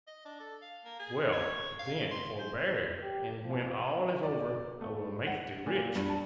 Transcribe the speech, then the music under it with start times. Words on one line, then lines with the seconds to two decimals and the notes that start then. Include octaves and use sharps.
'Well, then, forbear; and when all is over, I will make thee rich.'
0.07 D#5
0.25 D4
0.40 A4
0.62 F5
0.85 A#3
1.00 G#4
1.33 C#5
1.79 F5
2.11 C6
2.39 C5
3.01 G4
3.42 F3
4.23 D5
4.81 A3
5.27 F#5
5.67 A#2
5.95 G2
6.10 A5